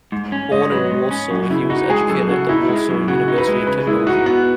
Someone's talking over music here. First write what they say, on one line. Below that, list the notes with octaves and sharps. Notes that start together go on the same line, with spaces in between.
Born in Warsaw, he was educated at the Warsaw University of Technology.
G#2
C#4
G#2 D#5
C#5
F#3 B4
G#2
C#4
F#2 F#4
C#3 E4
D#4 F#4
G#3 G#4
F#2 A4
C#3 F#4
D#4 E4
G#3
F#2
C#3 F#4
D#4
B4
G#3
C#3 B4
G#3 E4
D#4 F#4
B3 F#4